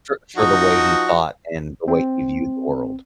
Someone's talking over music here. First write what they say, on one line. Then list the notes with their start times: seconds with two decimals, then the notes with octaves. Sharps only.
For for the way he thought and the way he viewed the world.
0.37 F3 D#4 F#4
1.88 C4